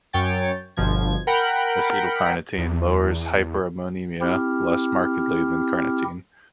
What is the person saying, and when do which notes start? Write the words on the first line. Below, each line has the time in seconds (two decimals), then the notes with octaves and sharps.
Acetyl--carnitine lowers hyperammonemia less markedly than -carnitine.
0.13 F#2 C#5 G5 A6
0.77 G1 B2 F3 G#6
1.27 A#4 F#5 G5 B5
2.58 E2
4.21 C4 E4 G4 F6